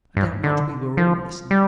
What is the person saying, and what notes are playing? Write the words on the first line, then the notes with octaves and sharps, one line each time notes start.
I doubt not we were all listening.
G2
D3
F3
G3